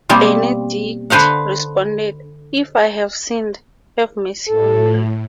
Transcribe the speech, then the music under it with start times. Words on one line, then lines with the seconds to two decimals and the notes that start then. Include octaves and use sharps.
Benedict responded, If I have sinned, have mercy on me.
0.09 B2 G3 A#3 C4
1.10 D3 B4 C5 F5 F#5
4.48 A2 A4